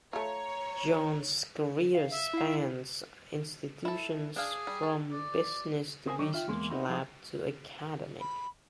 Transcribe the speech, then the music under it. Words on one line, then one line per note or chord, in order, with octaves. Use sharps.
Jones’s career spans institutions from business to research lab to academic.
A3 F4 C#5 A#5
F5
E5
E4 F5
E4 A4
D4 G#4 F5
G3
A4
D5
C4 G#4 A#4 C5 F#5 G#5
D#3 F#3 D4 D#4 C#5
F4 E5 G5
E2 G#3 A#3
B3 C4 D#4 E4 F#4
F3 D#4 E4 G#4
B5